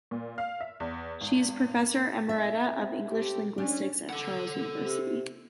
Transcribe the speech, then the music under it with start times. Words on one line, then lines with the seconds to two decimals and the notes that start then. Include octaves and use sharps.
She is Professor Emerita of English Linguistics at Charles University.
0.11 A#2
0.38 F5
0.61 E5
0.80 E2
1.21 G#1
2.29 A#2 D#4 E5
2.71 C3
3.09 A3 C4 G4
3.58 C#4 D4
4.10 A4 F#5
4.80 C3